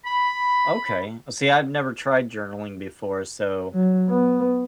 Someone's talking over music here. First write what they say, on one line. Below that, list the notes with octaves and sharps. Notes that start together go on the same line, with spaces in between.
Okay. See, I've never tried journaling before, so
B5
F#3
B3